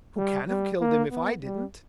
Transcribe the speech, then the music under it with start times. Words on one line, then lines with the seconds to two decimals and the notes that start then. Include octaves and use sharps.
Who can have killed him if I didn't?
0.17 G3
0.48 G3
0.81 A#3
1.11 B3
1.42 G3